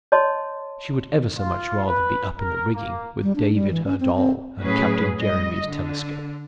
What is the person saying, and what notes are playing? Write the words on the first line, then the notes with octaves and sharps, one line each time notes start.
She would ever so much rather be up in the rigging with David her doll and Captain Jeremy's telescope.
C#5 D#5 A5 C6
F4
B4
A#4
A#3
G3
D4
G3
E3
C#4
C4
C4
A2 F#3 C#4 G#4 B4
G3 D#5
D3